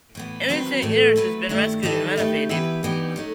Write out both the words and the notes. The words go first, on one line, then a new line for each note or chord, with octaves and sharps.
In recent years it has been rescued and renovated.
A2 E3 B3
D#3 F#3 C4 F#4 B4
A2 E3 A3
F#3 A3 E4 B4
G2 D#3 A3 E4
D#3 G3 D#4 A4
D#3 A3 D#4 G4 B4
E3 B3 E4 G4 B4
G2 E3 B3 D#4 G4
F#3 A3 D#4